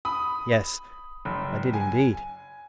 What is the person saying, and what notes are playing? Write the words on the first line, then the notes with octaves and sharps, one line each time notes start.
"Yes." I did indeed.
B5 D#6
F#1
G#5